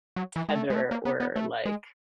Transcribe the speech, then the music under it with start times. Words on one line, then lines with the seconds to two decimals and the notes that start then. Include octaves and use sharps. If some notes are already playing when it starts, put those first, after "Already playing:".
tether or, like,
0.16 F#3
0.36 E3
0.49 G#3
0.55 A3
0.70 G#3
0.75 A3
0.91 A#3
1.05 B3
1.20 B3
1.36 A3
1.65 G#3